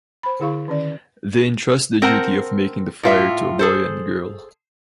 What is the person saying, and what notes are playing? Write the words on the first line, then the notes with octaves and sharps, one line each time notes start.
They entrust the duty of making the fire to a boy and girl.
C5 B5
D3 E4 G#4 F5 C#6
D#3 C#4 D5
C4 A#4 C5 F#5 A5
A2 F4 E5
G#4 A4 C5